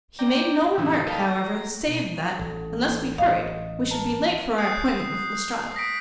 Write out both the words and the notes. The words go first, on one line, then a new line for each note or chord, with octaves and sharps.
He made no remark, however, save that, unless we hurried, we should be late for our appointment with Lestrade.
D5 G5 A#5
A2 C3 E3 F#3 D#4 E4
A4 B4 D#5 F5 G5 A5
A#5
B2
A1 A4
A2 D#5 F5
B4 A5 A#5
D#6 F#6 G6 C7
D#6 A#6 B6 D7